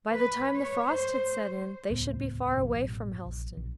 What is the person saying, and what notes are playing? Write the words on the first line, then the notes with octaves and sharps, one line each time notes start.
By the time the frost had set in, they should be far away from Helstone.
B4
C#5
C5
D#1 C#2 A2 B3
A1 F#2 B2
A#1
A#1